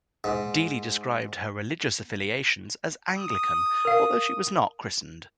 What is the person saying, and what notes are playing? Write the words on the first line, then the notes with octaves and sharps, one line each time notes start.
Deeley describes her religious affiliation as Anglican, although she was not christened.
G#2
D#6
A#4 F5